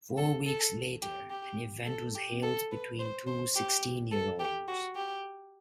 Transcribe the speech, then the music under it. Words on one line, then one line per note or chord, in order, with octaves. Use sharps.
Four weeks later, an event was held between two sixteen-year-olds.
A4
A4
G4
G4
A4
G4
A4
B4
C5
C5
G4
A4
G4
F#4
G4